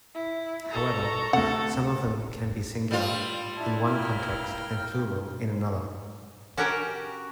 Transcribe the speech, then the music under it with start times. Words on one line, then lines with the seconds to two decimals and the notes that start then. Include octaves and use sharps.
However, some of them can be singular in one context and plural in another.
0.15 E4
0.72 A4 A#5 C#6
1.33 D2 C3 A4 F#5
2.91 G3 E4 F4
3.56 D4 E4 A5
3.87 A#4 F5 G5 F6
6.57 C#4 F#4 G4 A#4